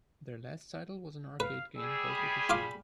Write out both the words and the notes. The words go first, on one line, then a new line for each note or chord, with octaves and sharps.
Their last title was an arcade game called Ricochet.
B4 F5
G3 G#4 E6
B5
F4 F5 D6